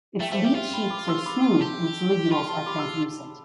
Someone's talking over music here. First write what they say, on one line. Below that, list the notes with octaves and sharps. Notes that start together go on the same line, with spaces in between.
Its leaf sheaths are smooth and its ligules are translucent.
A3 E5 G5
A3 C5 E5
G4 E5 G5
F4 E5 G5
G5 B5
B5 D6
C6 E6
B5 D6
G4 A5 C6
F4 G5 B5
A5 C6
B5 D6
C6 E6